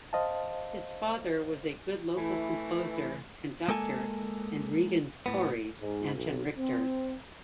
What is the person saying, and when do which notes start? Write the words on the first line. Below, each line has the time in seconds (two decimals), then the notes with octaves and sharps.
His father was a good local composer, conductor and "regens chori" Anton Richter.
0.13 C5 D#5 F5 A5
2.16 E3 A3 E4
3.68 G#3 A#3 A4 G#5 A5
5.26 A2 B3
5.80 G#2
6.15 B1
6.56 C4